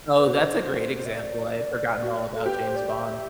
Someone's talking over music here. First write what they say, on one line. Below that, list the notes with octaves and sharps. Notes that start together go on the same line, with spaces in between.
Oh, that's a great example, I had forgotten all about James Bond.
B4
F#4 C5
E5
D5
F#4
A4
G4 B4
C5
D5
E5